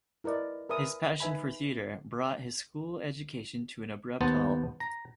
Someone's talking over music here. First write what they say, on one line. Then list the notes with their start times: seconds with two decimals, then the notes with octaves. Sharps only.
His passion for theatre brought his school education to an abrupt halt.
0.24 E4 A#4 B4 D5 D#5
0.69 A#4 B4 E5 G#5 D#6
1.20 D#4 B4 E5 G#5 B5
4.21 D#2 B3 C5 A5
4.80 A#5